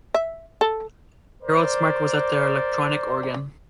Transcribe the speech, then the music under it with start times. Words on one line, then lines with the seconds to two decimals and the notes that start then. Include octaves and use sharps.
Harold Smart was at the electronic organ.
0.14 E5
0.61 A4
1.42 A#4 C5 D5